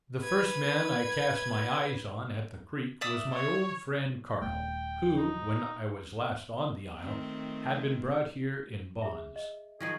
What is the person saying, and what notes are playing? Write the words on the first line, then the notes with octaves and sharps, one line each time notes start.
The first man I cast my eyes on at the creek, was my old friend Carl, who, when I was last on the isle, had been brought here in bonds.
B4 G#6
D5 E5 D#6
C#5
D#1 F2 A3 G5
D#4
D#3 A3 C4
G#4 E5
D#5
D#3 F3 F#3 G#4